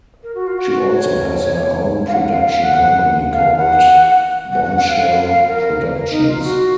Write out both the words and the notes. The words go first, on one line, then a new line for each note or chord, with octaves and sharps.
She also has her own production company called "Bombchelle Productions".
A#4
F#4
F4
F#4
F#4
C#5
F5
F#5
F5
F5
F#5
F5
F#5
F#5
F#5
F#5
F5
F5
F5
A#4
A#4
D#4
F4
F#4